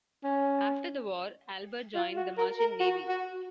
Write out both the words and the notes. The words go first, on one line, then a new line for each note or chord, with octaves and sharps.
After the war, Albert joined the Merchant Navy.
C#4
F4
F#4
A#4
A#4
F#4
F#4